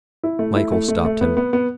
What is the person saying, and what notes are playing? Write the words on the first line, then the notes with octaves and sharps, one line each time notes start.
Michael stopped him.
E4
A3
E4
A3
A3
A3
B3
B3
B3